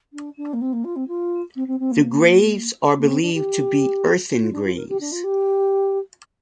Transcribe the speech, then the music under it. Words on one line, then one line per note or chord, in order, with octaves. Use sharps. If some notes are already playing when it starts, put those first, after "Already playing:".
The graves are believed to be earthen graves.
D4
D4
A#3
C4
A#3
F4
C4
F4
C4
C4
C4
A#3
A#3
C4
D4
G4
F4
D4
F4
A#4
G4
D4
F4
G4